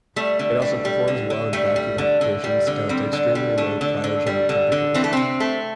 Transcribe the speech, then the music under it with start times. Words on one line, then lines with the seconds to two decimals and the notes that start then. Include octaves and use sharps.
It also performs well in vacuum applications, down to extremely low cryogenic temperatures.
0.16 G3 A3
0.39 D3
0.62 G3
0.85 G3
1.08 D3
1.30 D3
1.53 G3 A3
1.76 G3
1.98 D3
2.21 D3
2.44 G3
2.67 D3
2.89 G3 C4
3.13 D3
3.35 G3
3.58 D3 A3
3.81 D3
4.04 D3
4.26 G3
4.49 D3
4.72 D3
4.94 E3 C4
5.04 A3
5.13 C3 C4
5.40 A3